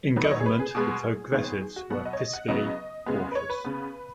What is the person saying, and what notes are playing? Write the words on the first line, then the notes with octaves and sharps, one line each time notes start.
In government, the Progressives were fiscally cautious.
D#3 F#3 B3 B4
D#5
C#5
G#4
B4
G#4
B2 G#3 B3
D#3 G#3 B3 G#4
G#4
F#4
B2 F#3 B3 F#5
D#5
C#5
D#5
F#5
C#3 F#3 B3 D#5
C#3 G#3 B3
B4
C#5
B4
C#3 B3